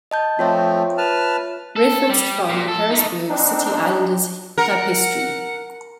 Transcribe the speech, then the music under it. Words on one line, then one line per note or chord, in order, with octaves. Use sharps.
Referenced from Harrisburg City Islanders club history.
D#5 A5 G6
F3 A3 C4 F4 C#5 E5
B4 A5 F6
A4
G3
A#2
A4
A3 D#4
C4 D4 D#4
A#4 F#5